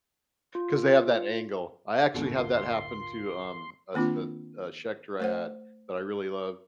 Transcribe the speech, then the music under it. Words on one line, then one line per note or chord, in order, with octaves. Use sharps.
'cause they have that angle. I actually had that happen to, um, a s a a Shechter I had, that I really love,
F4
D1 G1 B2 D3 G#3 C#4
F4 A#4 C6
D#3 A#3 C4 D4 F4
A3 C5 F#5